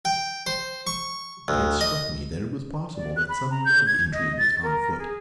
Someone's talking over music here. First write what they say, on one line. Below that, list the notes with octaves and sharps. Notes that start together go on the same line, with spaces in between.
It had struck me that it was possible that some love intrigue was on foot.
G5
C5
C#6
D2
D#5
D5
F#6
B5
A#5
G6
G#6
D#5
A6
A#4
G#4